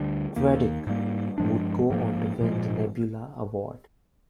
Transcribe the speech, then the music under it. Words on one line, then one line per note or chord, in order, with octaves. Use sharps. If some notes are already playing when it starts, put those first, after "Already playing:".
Chwedyk would go on to win the Nebula Award.
Already playing: D2 D3 G3 D4
D#2 D#3 A#3
G#2 G3 A#3
G2 F3 G#3 D4
G#2 F3 A#3
A#2 F3 G#3